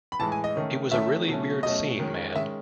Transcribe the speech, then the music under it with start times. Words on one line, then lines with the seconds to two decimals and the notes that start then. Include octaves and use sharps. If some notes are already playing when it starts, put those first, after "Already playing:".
It was a really weird scene, man.
0.12 B5
0.19 A2 E3 G#3 A5
0.32 G#5
0.44 D#5
0.55 D#3 A3 C#4
0.91 D#3 A3 C#4 E5
1.28 B2 F#3 A3 C#4
1.63 B2 F#3 A3 C#4 D#5
1.99 D#3 G#3 C#4
2.35 D#3 G#3 C#4 E5